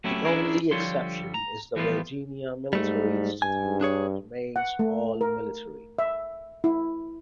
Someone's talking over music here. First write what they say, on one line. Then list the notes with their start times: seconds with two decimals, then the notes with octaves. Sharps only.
The only exception is the Virginia Military Institute, which remains all-military.
0.04 F#3 A3 C#4 E4 G4
0.25 C#4 D4 E4 G#4 A#4
0.71 D3 F3 G3 C#5 C6
1.34 A#5
1.76 E3 F3 G3 B3 F4
2.73 G#2 G3 A3
3.42 G2 G#5
3.81 D4 G#4 C#5
4.56 F#5
4.79 A3
5.21 A#4
5.99 E5
6.64 E4